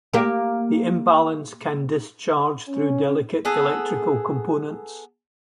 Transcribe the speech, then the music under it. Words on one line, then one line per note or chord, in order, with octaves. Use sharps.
The imbalance can discharge through delicate electrical components.
A#3 G4
C#4
B3 G#4 A4